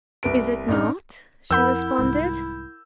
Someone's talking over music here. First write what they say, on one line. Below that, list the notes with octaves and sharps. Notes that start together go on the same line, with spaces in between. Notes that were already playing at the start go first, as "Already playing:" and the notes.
"Is it not?" she responded.
C2 B4 D7
A1 D4 D#4 F6
F2 E4 A#4 F#5 B5 E6 G6
C2 G#2